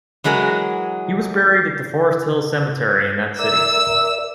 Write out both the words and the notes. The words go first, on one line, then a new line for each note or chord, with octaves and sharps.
He was buried at the Forest Hill Cemetery in that city.
E3 F#3 G#3 F#4 A#4
A#4 D5 E5 E6